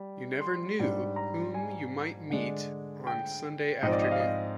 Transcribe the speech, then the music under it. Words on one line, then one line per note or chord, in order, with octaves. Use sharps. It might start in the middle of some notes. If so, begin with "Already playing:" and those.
You never knew whom you might meet on Sunday afternoon.
Already playing: G3
C6
G#2 G3 D4
A#5
G#5
D3 G#3 D4
G5
G#2 F3 C4 D#5
D5
D#5
F5
D#5